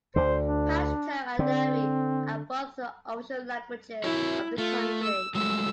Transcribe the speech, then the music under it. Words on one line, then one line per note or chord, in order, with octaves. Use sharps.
Pashto and Dari are both the official languages of the country.
D2 D3 C5
D4
D3 C4
E4 F#4 C#5 E5
A3 F4
E6
F#3 G#3 A3 E6